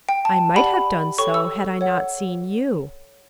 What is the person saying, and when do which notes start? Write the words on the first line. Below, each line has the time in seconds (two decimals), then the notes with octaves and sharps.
I might have done so, had I not seen you.
0.09 G5
0.25 A5
0.55 G4 D5 F#5 B5
1.18 A4 C#5 G5 C#6
1.34 E6
1.81 C#5 F#5